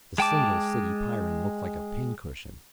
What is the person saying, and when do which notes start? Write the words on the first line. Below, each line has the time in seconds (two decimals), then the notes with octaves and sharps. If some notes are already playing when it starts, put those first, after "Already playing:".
The single city Pyrran looked like a pin-cushion.
0.18 G#3 G5 A5 D6